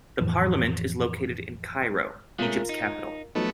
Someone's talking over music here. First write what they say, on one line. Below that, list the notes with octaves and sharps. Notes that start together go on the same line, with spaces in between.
The Parliament is located in Cairo, Egypt's capital.
F2 A2 E3 F3
G#3 A3 C#4 F4 A#4
D#4
F3 F#3 A3 B3 D#4